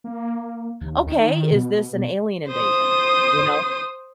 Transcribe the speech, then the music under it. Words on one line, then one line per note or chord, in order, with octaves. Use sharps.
"Okay, is this an alien invasion?" You know
A#3
D#2
D#3
B2
C5 D#6